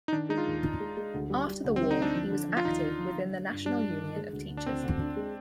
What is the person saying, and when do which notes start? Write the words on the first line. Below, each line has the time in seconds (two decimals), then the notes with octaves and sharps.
After the war he was active within the National Union of Teachers.
0.08 D#4
0.12 D#3 D4
0.29 G#3 D#4
0.38 F4
0.46 D#2
0.63 D#4
0.80 G#3
0.97 G#3
1.14 D2
1.30 G3
1.47 G3
1.64 D2
1.76 C4
1.81 G3
1.91 D#4
1.97 D2 D4
2.15 F3
2.31 D3
2.48 F3
2.57 F4
2.65 D#2 D#4
2.82 D3
2.99 F3
3.15 D3
3.32 D3
3.49 G2
3.65 G3 D4
3.82 G2
3.99 D3
4.16 G#3
4.33 D2
4.49 D2
4.57 D4
4.66 D2 C4
4.83 D2
5.00 D4
5.16 G#3